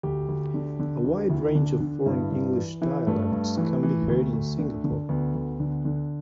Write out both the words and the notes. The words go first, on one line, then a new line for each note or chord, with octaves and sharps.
A wide range of foreign English dialects can be heard in Singapore.
D2 G4
D2
D3
D3
D2
G4
D2 E4
D3 D4
D3
G2 E4
G2
E3
E3 E4
G2 A3
G2
E3
E3
D2
D2
D3
D3
D2 B3
D2
D3
D3